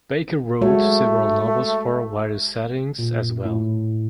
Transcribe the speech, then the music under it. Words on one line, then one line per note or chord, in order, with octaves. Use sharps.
Baker wrote several novels for various settings as well.
G#3 A3 F#4 C#5
A#2
A2